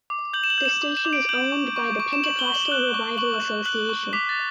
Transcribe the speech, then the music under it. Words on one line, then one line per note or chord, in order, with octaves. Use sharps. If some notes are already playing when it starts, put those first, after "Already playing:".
The station is owned by the Pentecostal Revival Association.
D6
G6 F#7
E7
F#7
G6
E7
D6 F#7
E7
D6
D7
G6 F#7
C#6
C#6
C#6
E7
C#6 F#7
G7
C#6
F#7
F#6
C#6
C#6 F#7
C#6
F#6 F#7
C#6
D6 B6
A6